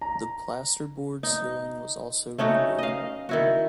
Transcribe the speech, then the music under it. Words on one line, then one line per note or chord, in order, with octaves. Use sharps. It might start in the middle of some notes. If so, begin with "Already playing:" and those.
The plasterboard ceiling was also rebuilt.
A#5
D#4
A3 C#4 D#4 F#4
D#5 F5
D#3 E4 F#4